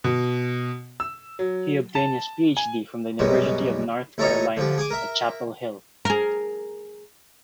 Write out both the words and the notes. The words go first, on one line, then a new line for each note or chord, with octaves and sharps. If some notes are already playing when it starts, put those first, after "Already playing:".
He obtained his PhD from the University of North Carolina at Chapel Hill.
B2
E6
F#3
A5
G#5
B1 F#2 B2 G3 G#3
A1 E4 A4 C#5 D#5 A#5
D3 F3 G4
G#4 G#5 D6
A#4 E5
G#4 A#4